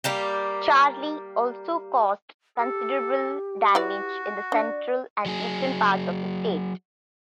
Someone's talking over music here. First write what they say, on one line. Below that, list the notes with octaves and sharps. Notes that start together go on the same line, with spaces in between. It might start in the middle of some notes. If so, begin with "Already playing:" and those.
Charley also caused considerable damage in the central and eastern parts of the state.
G3 A#3 G4
G4 A4
E4 F#4 B4 D5
D4 D5
F#3 G#4